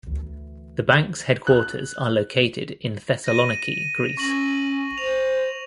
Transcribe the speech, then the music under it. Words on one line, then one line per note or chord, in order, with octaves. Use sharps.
The bank's headquarters are located in Thessaloniki, Greece.
D2 E3
F#6
A#6 D#7
C#4 C#6 A#6 F#7
C5 F7